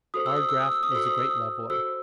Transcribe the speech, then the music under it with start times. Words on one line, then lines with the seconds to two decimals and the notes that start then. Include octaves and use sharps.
Hard graft is a great leveller.
0.14 F#4 A4 C5 D#6
0.26 E6
0.36 D#6
0.49 E6
0.60 D#6
0.71 E6
0.83 D#6
0.91 F#4 A4 C5 E6
1.06 D#6
1.18 E6
1.30 D#6
1.70 F#4 A4 C5 E6